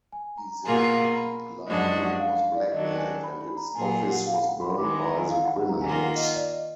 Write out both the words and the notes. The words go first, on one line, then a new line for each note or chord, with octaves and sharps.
Ezaki Glico was blackmailed and its office was burned by the criminals.
G#5
A#5
B2 A#3 F4 G#4 G#5
A#5
A#5
B5
F#2 F3 G#3 D4 F#4 D#5
D#5
F#5
F5
F5
D5
D#3 F#3 D4 D#5
G#5
B5
B5
A#5
A#2 F#3 A#3 F4 G#4 G#5
G#5
F#5
F5
F#5
B5
D#3 G#3 B3 D6
B5
A#5
G#5
F5
F#5
F#5
A#5
D#3 A#3 F4 G#5
G#5
F#5
D#5
D5
D#5